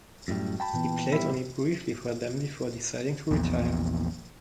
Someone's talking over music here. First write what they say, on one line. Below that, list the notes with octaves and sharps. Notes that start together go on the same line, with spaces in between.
He played only briefly for them before deciding to retire.
F#2 A2 G3 F#4
G5 A5 B5
A#2 E3 B3
G3 B3 E4 G4
A#1 E2